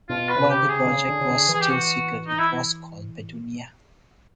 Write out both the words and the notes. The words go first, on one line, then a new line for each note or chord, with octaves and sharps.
While the project was still secret, it was called "Petunia".
B2 F4
B4
C3
G4
C#3
G#4
D3
C#3
D3
C#3
D3
E3 G#4
G4
F#4
D#4
E4